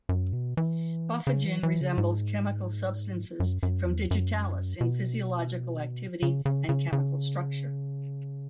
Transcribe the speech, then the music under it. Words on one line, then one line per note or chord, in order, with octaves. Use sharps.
Bufagin resembles chemical substances from digitalis in physiological activity and chemical structure.
F#2
B2
E3
C#3
E3
E3
C#3
G#2
F#2
F#2
E2
F#2
B2
C#3
C#3
C#3
C#3